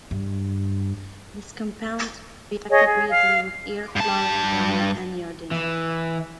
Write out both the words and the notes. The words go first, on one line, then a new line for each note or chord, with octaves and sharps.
This compound reacted readily with air, chlorine, bromine and iodine.
G2
G#4 C#5 D#5
G#4
F5
G2 A5
E3